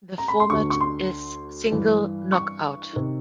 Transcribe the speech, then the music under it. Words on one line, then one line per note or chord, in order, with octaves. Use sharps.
The format is single knockout.
A#5
B5
C6
D2 D3 C#6
C#6
C6
G2 E3
C#6
C3 D#3